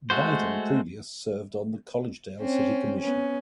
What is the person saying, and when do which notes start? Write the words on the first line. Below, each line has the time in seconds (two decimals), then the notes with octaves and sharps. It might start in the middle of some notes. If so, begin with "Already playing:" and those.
Vital previous served on the Collegedale city commission.
0.10 G#3 A3 F#4 C5
2.40 C4 C#4
2.98 B3 C#4